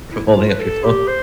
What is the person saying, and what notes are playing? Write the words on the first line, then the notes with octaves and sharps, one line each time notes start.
For holding up your phone.
E4
E4
F4
B4
A4
G4
C5